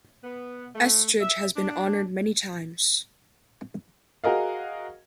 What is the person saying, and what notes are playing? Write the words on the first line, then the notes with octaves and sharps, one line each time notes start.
Estridge has been honored many times.
B3
A3
E5
D4
F#4 G#4 A#4 D#5 F5